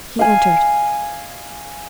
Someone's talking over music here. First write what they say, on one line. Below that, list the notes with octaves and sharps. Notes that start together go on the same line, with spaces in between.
He entered.
F5 G#5